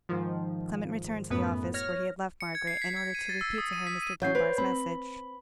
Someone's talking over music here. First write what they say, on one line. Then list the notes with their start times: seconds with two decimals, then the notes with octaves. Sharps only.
Clement returned to the office, where he had left Margaret, in order to repeat to her Mr. Dunbar's message.
0.09 G#2 D#3 F3
1.30 F#2 A2 B3 B4
1.74 C#5 F6 A#6
2.41 C#7
2.55 G#6
2.67 C7
2.82 B6
2.96 G#6
3.15 D#7
3.29 A6
3.41 E6
3.58 D#6
3.73 D#7
3.87 B6
4.02 D#7
4.22 F#3 C#4 C#5 G6 C7
4.35 B4 C5
4.58 C4 B5